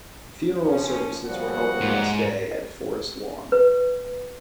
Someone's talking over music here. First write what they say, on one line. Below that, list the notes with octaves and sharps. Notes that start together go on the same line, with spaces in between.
Funeral services were held the next day at Forest Lawn.
F3 C#4
C#3 F3 G3 B3 F#4 F#5
G#2
D#5
B4